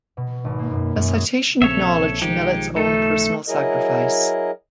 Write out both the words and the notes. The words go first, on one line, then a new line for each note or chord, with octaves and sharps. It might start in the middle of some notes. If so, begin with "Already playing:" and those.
The citation acknowledged Mellett's own personal sacrifice.
B2
G#1
A#3
F#2
F#2
G#4
A#1 C#3 C4 A4 C#5 E5
B1 D#3 F3 G#3 D#4 G4
A3 D#4 A4
F#3 E4 G#4 A#4 D#5